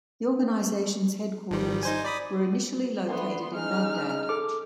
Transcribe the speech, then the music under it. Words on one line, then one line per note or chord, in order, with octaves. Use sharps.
The organization's headquarters were initially located in Baghdad.
G#1 D#3 G3
D#4 C5 G#5
D5 B5 D#6
D2 B3 B4 C6
G#3 C#4 D#4 F6
A4 D6